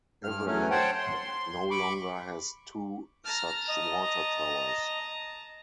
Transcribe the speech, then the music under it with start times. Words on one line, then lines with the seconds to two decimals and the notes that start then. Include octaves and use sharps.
Eveleth no longer has two such water towers.
0.24 G2 F6
0.46 F#3 A3 C#4
0.71 C5 C#5 F#5 G5 A5
0.99 C6
1.71 B5 C#6 D6
3.25 A5 A#5 F6
3.69 D#5